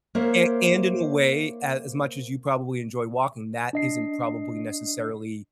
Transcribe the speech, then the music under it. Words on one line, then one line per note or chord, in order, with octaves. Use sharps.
And and in a way, as as much as you probably enjoy walking, that isn't probably necessarily
A#3 A#4 C5 C#5 E5
D4 D#5 C7